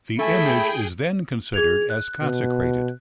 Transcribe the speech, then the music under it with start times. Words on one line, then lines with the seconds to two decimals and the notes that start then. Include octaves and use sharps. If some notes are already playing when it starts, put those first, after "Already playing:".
The image is then considered as consecrated.
0.19 A3 E4 G#4 G5 G#5 B5
1.54 G#4 G#6 F7
1.90 F#6
2.22 B2